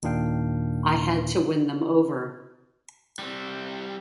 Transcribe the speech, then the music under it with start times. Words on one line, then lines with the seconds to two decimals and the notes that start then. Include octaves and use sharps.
I had to win them over.
0.03 D#2 A#2 D#3 D4 F5 G5
3.19 G3 C4